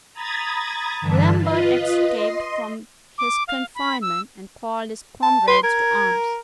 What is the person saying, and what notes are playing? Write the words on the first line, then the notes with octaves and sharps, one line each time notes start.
Lambert escaped from his confinement, and called his comrades to arms.
A#5 B5 D#6 G#6 A6
G2 D3 E3 A5 B6
F4 B4 D#5
D#5 C6
D6
F5
B5
E6
A5
B4 C6
A#4 G#6